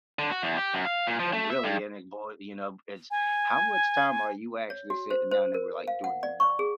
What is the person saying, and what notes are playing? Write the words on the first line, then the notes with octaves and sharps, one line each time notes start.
and really and it boy, you know, it's how much time are you actually sitting down and were, like, doing nothing?
D3
F#4
E2
G4
F#2
F5
A#2
F3
A3
E5
G2
G#5
C#5
F#4
C5
C5
A#4
F5
F#5
D5
C#6
G#4